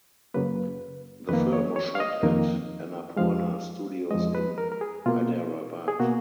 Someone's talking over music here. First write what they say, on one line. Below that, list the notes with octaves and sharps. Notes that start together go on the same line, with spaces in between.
The film was shot at Annapurna Studios in Hyderabad.
F#2 C#3 F#3 A#3 B4
F2 D#3 A#3 B4
C#5
C#5
F5
D#5
F2 D#3 A#3
F2 F3 G#3 F5
F2 F3 G#3 D#5
B4
A#4
A#4
G#4
B2 A#3 F4
G#4
B2 A#3 F#4